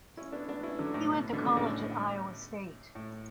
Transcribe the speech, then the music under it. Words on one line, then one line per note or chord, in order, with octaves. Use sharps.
He went to college at Iowa State.
C#4 E4
B3 D4
B3 D4
C#4 E4
D3 F#3
A2
B2
B2 D3
B2 D3
A2 C#3
A2